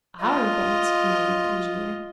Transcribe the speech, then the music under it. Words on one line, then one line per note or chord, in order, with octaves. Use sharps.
"Our boat?" murmured the engineer.
F4 D#5